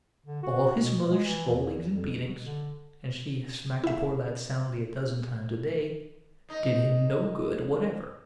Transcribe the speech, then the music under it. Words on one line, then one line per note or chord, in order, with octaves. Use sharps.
All his mother's scoldings and beatings--and she smacked the poor lad soundly a dozen times a day--did him no good whatever.
D3
F#4
B2
G#3
E3
E2
F2
B2
D3
E4 E5
D#2 D#4